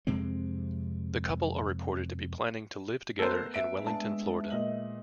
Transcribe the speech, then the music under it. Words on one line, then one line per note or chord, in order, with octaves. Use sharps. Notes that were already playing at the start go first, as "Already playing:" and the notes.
The couple are reported to be planning to live together in Wellington, Florida.
F2 C3 G#3 C4
A3 B3 A4 A#4 C5
E5 D7
G#3 D4 A5
A#2 D#5 F#7